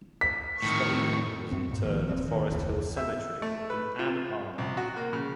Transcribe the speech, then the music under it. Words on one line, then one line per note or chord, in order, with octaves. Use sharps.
Staebler was interred at Forest Hill Cemetery in Ann Arbor.
B6
A2 D#3 C#6
F#2 C4
G2 A#2
A#1 D#3 F3 A#3
D1 B1 C4
D#3 A#3
F1 D2 C#3 E3
E5
A3
B4
F4
C2
F#4
A#3
C#3